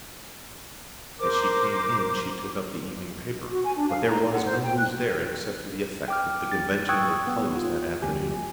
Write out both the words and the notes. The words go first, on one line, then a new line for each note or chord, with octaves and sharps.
As she came in she took up the evening paper, but there was no news there except to the effect that the Convention would close that afternoon.
A#4 C5 D6
F#4
G#5
D4
F5
A#5
A#5
F#5
C5
G5
F#6
G5 D6 F6
A6
G5 C#6 D#6 E6 F#6 G#6
B3
F4
G1 D2 G4 G#5